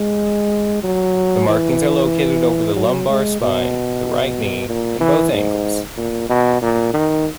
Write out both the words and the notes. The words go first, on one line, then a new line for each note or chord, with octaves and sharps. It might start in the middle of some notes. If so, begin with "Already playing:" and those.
The markings are located over the lumbar spine, the right knee, and both ankles.
Already playing: G#3
F#3
E3
F#3
G#3
B2
A#2
E3
G#2
A#2
B2
A#2
D#3